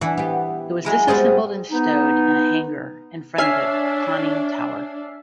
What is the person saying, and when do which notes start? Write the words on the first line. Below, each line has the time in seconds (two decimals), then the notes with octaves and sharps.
It was disassembled and stowed in a hangar in front of the conning tower.
0.01 E3 D4 F#5 B5
0.18 B3 G4
0.85 F#3 G#3 E4
1.08 G3 G#3 B3 C4 G#4
1.71 B3 D#4
3.38 D4 C#5 E5 G#5 F6 C7